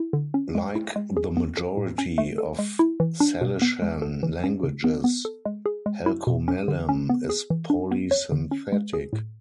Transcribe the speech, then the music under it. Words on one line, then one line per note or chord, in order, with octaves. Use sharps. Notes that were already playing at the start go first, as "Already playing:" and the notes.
Like the majority of Salishan languages, Halkomelem is polysynthetic.
Already playing: E4
D3
C#4
G#3
E4
G#3
G#4
B3
A4
A2
C#4
A3
A4
G#3
E4
E3
D4
B2
B3
G#3
A4
E3
C#4
C#3
B3
B3
A4
G#3
G#4
G#3
E4
B2
C#4
D3
C#4
B3
G#4
E3
D4
B3
C#5
D3
C#4
G#3
G#4
A2